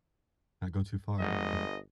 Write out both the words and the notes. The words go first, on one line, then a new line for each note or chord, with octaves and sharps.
not go too far. Yeah.
G1 F2 G#3 D#5 F#5